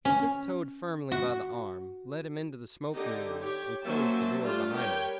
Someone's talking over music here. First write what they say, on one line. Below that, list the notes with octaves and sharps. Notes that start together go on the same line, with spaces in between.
He took Toad firmly by the arm, led him into the smoking-room, and closed the door behind them.
C#4
F#4
D3 D#4 G4
G4 C#5
F#3 A#3 C#4 C5 E5 A5
G3 A3 D4 F4
G4 A#4 B4 C#5 G5